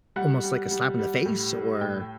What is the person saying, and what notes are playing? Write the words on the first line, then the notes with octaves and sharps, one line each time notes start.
almost like a slap in the face or,
G3 F#5
G3
G3
G3
A2
G3
A2 G5